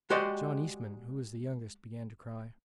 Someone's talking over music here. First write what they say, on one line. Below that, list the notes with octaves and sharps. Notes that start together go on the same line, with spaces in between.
John Eastman, who was the youngest, began to cry.
G#3 F#4 G4 C5 D5 D#5